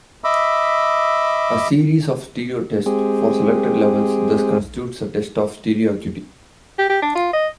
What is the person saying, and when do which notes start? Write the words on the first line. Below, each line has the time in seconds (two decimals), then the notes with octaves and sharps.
A series of stereotests for selected levels thus constitutes a test of stereoacuity.
0.24 D#5 E5 B5 D6 E6
2.86 G#3 C4 G4 G#4
6.78 G4
6.90 G4
7.02 D4
7.15 F4
7.33 D#5